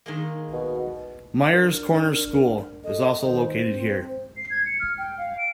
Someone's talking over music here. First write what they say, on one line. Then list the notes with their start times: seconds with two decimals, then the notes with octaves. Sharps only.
Myers Corners School is also located here.
0.06 D#3 G#3 A#3
0.53 B2
1.51 D4 A#4
2.84 A4 D#5
3.24 D#3 C5
3.64 C4
4.37 C7
4.50 G#6
4.66 C#7
4.80 F6
4.98 G5
5.18 F5
5.38 D7